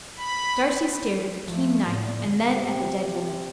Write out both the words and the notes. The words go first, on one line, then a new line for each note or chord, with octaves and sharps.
Darcy stared at the keen knife, and then at the dead woman.
B5
F3 A3
A2 D3
C3